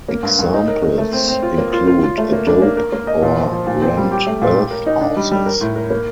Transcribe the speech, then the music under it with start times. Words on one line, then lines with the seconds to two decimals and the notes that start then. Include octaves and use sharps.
Examples include adobe or rammed earth houses.
0.08 A#3
0.23 G2
0.39 G2
0.53 D#4
0.68 A#4
0.83 A#4
0.98 A3
1.13 C4
1.28 C4
1.43 F4
1.58 A#3
1.73 F4
1.88 F4
2.03 F4
2.18 A3
2.32 A#3
2.47 D4
2.62 A#3
2.77 A#4
2.92 A#3
3.07 D#5
3.22 A#2
3.37 F3
3.52 F3
3.67 A#2
3.82 C4
3.97 G3
4.12 G4
4.27 A3
4.42 A#2
4.56 G4
4.71 A#4
4.86 D#4
5.01 D4
5.16 G3
5.31 G3
5.46 A#4
5.61 A2
5.76 A#4
5.90 A#3